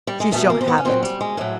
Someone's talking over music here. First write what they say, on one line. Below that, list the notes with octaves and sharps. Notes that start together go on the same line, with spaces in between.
"She shall have it."
G3
G#3
E2 B2 G3 A3
A#3
C4
B3
C#4
A#2 F#3 C4
G3
G#3
A2 F#3 A3